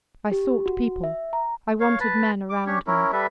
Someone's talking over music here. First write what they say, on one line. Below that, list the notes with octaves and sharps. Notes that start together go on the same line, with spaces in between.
I sought people--I wanted men around me!
G4
F#4
E5
A#5
C#5 F5
B4 A5
D6
C#4 D4 G4 C#5
C#4 E4 A#4
G3 A4 B4 E5